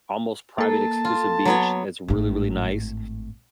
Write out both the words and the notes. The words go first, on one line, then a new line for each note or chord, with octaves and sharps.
almost private exclusive beach that's really, really nice,
A#3 A4 A5
F4
F#3 B3 C#5
G#1 A2